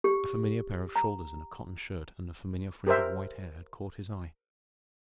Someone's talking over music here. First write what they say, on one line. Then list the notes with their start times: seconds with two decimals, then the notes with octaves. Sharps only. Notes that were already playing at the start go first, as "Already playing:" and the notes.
A familiar pair of shoulders in a cotton shirt and a familiar fringe of white hair had caught his eye.
0.04 G4
0.96 A#5
2.87 G4 A#4 C5 E5